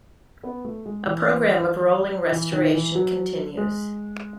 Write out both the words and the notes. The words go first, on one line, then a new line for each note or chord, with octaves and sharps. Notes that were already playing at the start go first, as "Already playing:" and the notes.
A programme of rolling restoration continues.
B3
A3
G#3
E3
E3
D#3
E3
F#3
G#3